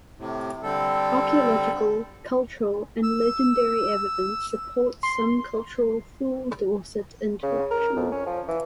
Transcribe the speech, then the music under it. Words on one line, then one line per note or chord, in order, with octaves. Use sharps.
Archaeological, cultural and legendary evidence supports some cultural Thule-Dorset interaction.
A2 C3
D3 G3 C4 A4
E6
C6
C#3
A#4
F2
C#4
F3
E3